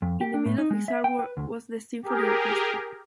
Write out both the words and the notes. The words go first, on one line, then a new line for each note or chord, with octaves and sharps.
In the middle of his art-work was the symphony orchestra.
F2
G4
D4
A2
D#4
G#3
E5
G5
B4
D2
G4 G#4 A#4